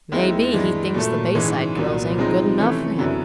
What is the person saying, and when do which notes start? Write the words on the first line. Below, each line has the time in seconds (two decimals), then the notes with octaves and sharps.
"Maybe he thinks the Bayside girls ain't good enough for him."
0.12 D#2 D#3 G#3 C4 E4
0.54 G2 E3 G#3
0.94 A#2 F#3 A3
1.35 G#2 E3 G#3 C#4
1.76 C2 A#2 F#3 B3
2.17 C3 F3 G#3 C4 D#4
2.59 C3 E3 A3 C#4
2.99 F#2 D3 F#3 B3 E4